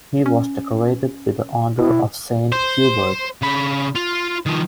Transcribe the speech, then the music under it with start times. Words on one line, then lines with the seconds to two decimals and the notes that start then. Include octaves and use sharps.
He was decorated with the Order of Saint Hubert.
0.26 C#4
1.79 B2 E4
2.52 C5
3.42 C#3 B5
3.95 F4
4.46 D#3 F3